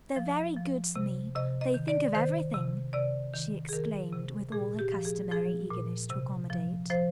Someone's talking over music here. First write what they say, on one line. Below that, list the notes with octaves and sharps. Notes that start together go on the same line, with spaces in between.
"They're very good to me--they think of everything!" she exclaimed with all her customary eagerness to accommodate.
F3
F3
C3
C3 D#5
D#5
D#3
D5
D#3 C5
C3
C3 D5
D#3
G#4
D#3 A#4
C3
A#2 G#4
G4
F3
G#4
F3 G#4
A#2
C3
F3
F3 C5